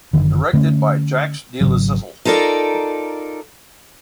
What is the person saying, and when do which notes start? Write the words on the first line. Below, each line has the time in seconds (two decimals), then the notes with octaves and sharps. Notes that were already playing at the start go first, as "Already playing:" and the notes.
Directed by Jacques deLisle.
0.13 F#1 C#2 D3 D#3
0.53 D3 A3 A#3 C#4
1.61 G#1 C#3 F#3
2.25 D#4 F4 A4 A#4 D5